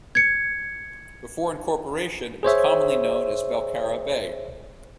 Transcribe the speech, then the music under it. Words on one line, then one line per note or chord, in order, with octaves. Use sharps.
Before incorporation it was commonly known as Belcarra Bay.
G#6 C#7
G#4 C5 C#5 E5